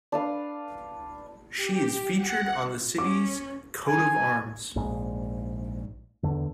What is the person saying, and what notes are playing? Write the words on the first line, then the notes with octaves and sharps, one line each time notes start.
She is featured on the city's coat of arms.
D4 B4 F5
G4
F#5
C#4 D6
G#5
A#1 G#2
E2 D3